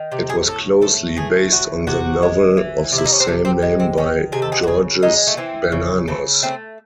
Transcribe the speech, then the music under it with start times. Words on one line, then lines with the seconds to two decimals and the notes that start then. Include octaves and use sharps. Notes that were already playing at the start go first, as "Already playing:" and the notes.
It was closely based on the novel of the same name by Georges Bernanos.
Already playing: D#3
0.12 C3
0.30 G#4
0.47 A2 A4
0.82 A3 A4
1.17 E3 G#4
1.52 A2 F#4
1.87 C3 F#4
2.23 G#3
2.57 E3
2.92 C3
2.98 E4
3.05 D#4
3.13 C#4
3.20 C4
3.27 C3 A3
3.45 C4
3.62 G#3
3.80 C4
3.97 D#3 C#4
4.32 C3 G#4
4.42 A4
4.52 G#4
4.63 F#4
4.67 C#3 G#4
5.03 G#3 D#4
5.27 A3
5.37 E3 C4
5.72 C#3
6.08 C#3 A3
6.43 A3 C4